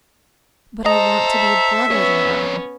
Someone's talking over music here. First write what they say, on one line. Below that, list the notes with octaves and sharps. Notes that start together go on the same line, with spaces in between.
But I want to be a brother to her.
A4 C5 D#5 A#5
E5
F2 B3 C#4 C#5